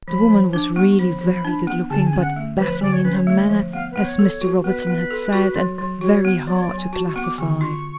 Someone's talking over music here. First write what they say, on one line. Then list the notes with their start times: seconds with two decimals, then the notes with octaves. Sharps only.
The woman was really very good-looking, but baffling in her manner, as Mr. Robinson had said, and very hard to classify.
0.08 F3 B5
0.30 F3
0.53 D4 D6
0.75 B3 C#6
0.99 F3 B5
1.21 F3
1.45 D4
1.67 B3
1.90 D3 A5
2.05 G#5
2.13 C#4
2.21 F#5
2.36 A3
2.58 F3 B4
2.81 D3 D5
2.93 C#5
3.04 C#4 B4
3.14 C#5
3.27 A3
3.49 F3
3.73 B3 F5
3.91 B3 B4
4.04 C#5
4.19 A4
4.41 F#4
4.64 B3 B4
4.87 B3
5.11 A4
5.33 F#4
5.56 F#3
5.78 F#3
6.01 F#4 C#5
6.25 B3
6.47 F#3 D5
6.56 C#5
6.62 D5
6.70 F#3
6.77 G#5
6.92 F#4 A5
7.08 C#6
7.16 B3
7.23 D6
7.38 D3 C#6
7.61 F4